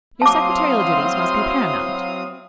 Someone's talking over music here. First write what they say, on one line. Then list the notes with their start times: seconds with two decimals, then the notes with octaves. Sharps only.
Your secretarial duties must be paramount.
0.22 F#3 C4 E4 F5 A5 C6 D6 D#6